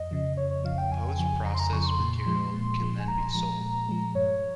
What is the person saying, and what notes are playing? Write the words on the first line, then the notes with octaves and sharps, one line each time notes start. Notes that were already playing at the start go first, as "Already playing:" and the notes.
The post-processed material can then be sold.
Already playing: F2 D#5
C#3 F3
F2 C#5
C#5
C#3 F3 F5
G5
F2 G#5
C#3 F3
F2 A#5
C6
A#5
C#3 F3 C#6
C6
A#2
F3 G#3
A#2
F3 G#3
G#5
A#2 A#5
F3 G#3
A#2
F3 G#3
G2 C#5